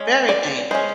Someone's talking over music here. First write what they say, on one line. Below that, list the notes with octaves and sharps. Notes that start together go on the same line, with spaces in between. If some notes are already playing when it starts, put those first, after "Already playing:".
Very dangerous.
Already playing: G#3 C#4
D5
G#3 C#4 C5